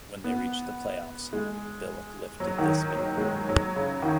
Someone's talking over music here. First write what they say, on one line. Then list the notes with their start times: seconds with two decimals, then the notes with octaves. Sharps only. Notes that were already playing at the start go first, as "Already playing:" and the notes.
When they reached the playoffs, Billick lifted this ban.
0.24 B3
1.33 G#3
2.40 F#3
2.58 D#3
2.95 F#3
3.17 G#3
3.21 F#3
3.49 F#3
3.76 C#3
4.02 D#3